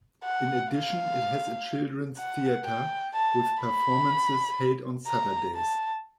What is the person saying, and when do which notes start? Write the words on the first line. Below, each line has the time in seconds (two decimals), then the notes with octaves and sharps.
In addition, it has a children's theater with performances held on Saturdays.
0.24 F#5
0.72 F5
2.18 F#5
2.65 G5
3.14 A5
3.62 B5
5.07 A#5
5.56 A5